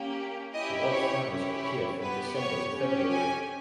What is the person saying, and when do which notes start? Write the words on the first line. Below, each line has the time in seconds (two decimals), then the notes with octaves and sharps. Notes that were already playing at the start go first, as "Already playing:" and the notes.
The white flowers appear from December to February.
Already playing: A#3 C#4 G4
0.54 C#4 E4 G4 D#5
0.91 C#5
1.27 C#4 E4 G4
1.64 C#5
2.01 B3 G4 B4
2.37 C#5
2.74 C#4 G4
3.10 G#5